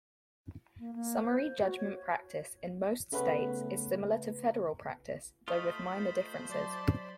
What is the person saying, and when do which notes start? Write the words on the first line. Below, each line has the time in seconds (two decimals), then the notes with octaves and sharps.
Summary-judgment practice in most states is similar to federal practice, though with minor differences.
0.79 A#3
0.94 A#3
1.22 C5
1.60 F#4
1.77 C#5
3.12 C#3 A3 B3 C#4 B4
5.48 A3 F4 C5 D#5 B5 C#6 D#6
6.49 F#3 D5 A5 C6 A6